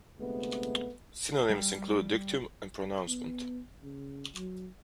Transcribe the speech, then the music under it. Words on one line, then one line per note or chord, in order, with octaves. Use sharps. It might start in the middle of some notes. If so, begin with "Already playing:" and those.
Synonyms include dictum and pronouncement.
D2 C3 G#3 A3 B3
G3
B3
C#3
F#3